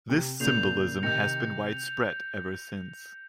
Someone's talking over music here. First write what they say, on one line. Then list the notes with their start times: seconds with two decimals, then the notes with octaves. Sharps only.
This symbolism has been widespread ever since.
0.10 C3
0.40 A#2 C#3 G6 C7 F7
1.03 C3 D#3 G6 A#6 C#7 F7